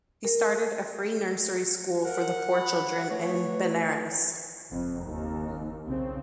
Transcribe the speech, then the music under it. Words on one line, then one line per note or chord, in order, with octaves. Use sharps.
He started a free nursery school for the poor children in Benaras.
A#4
A#4 F#5
B5
A3 B4 C#5
F#1 F2
D#2
B1 C#3 C4